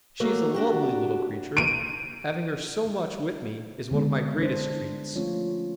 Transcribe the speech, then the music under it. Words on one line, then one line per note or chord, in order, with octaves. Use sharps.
She is a lovely little creature: having her so much with me is one of my greatest treats.
F#3 A3 A#3
D4 F#4 G4
D7 D#7
D3 G#3 B3 D4
D4 C5
F3 A3 C#4 F4 C#5